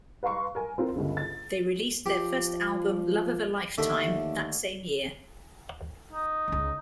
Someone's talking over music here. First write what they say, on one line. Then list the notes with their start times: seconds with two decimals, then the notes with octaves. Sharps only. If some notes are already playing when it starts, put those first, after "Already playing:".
They released their first album, "Love of a Lifetime", that same year.
0.23 B4 F5 A#5 C6 C#6
0.55 A#4 G#5
0.78 C4 F4 A#4
0.96 G1 C#2
1.17 A6
2.06 F3 G4
3.78 D#2 D3 A3
6.12 D#4
6.48 C#2 C#4